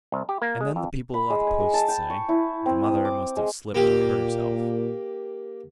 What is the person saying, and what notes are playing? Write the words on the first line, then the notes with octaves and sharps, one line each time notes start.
And then, the people at the Post say, the mother must have slipped and hurt herself.
C2
G4
A#3
G#3
F2
B5
G#3
G#5
G#4
A5
G5
C#6
E4
C4
D#6
D6
G#3
A#2 A#3 G4